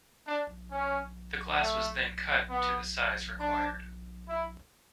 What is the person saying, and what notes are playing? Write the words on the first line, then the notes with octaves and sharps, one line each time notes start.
The glass was then cut to the size required.
D4
C#4
A3
B3
D4
E4